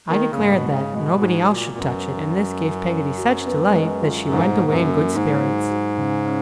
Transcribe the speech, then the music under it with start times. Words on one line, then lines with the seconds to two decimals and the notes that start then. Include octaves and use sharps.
I declared that nobody else should touch it; and this gave Peggotty such delight that she went away in good spirits.
0.09 D#3 A#3
0.31 C#3
0.37 G#2
0.51 B2
0.66 G#2
0.72 C#3
0.93 B2 G#3
1.21 G#2 F#4
1.50 A#2 F#4
1.77 F#2 B3
2.05 B3
2.34 F#3
2.61 C#4
2.90 C#4
3.18 F#3
3.46 B3
3.73 G#3
4.02 F4
4.29 G#2 B2
4.58 A#3
4.72 F#2
4.86 A#3
5.14 G#2 D#3
5.42 F#3
5.70 F#3
5.97 C#3
6.26 C#4